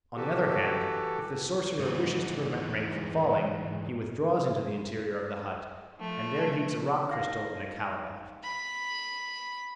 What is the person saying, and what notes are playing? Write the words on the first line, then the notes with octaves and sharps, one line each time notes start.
On the other hand, if the sorcerer wishes to prevent rain from falling, he withdraws into the interior of the hut, and there heats a rock-crystal in a calabash.
E3 F#4 G4 A4
G#2 E3
F3 A3
D#4 F5 A#6 C7
B5